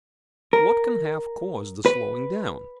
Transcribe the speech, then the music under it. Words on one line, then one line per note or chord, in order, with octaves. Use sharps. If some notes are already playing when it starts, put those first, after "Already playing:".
What can have caused the slowing down?
A#4
B4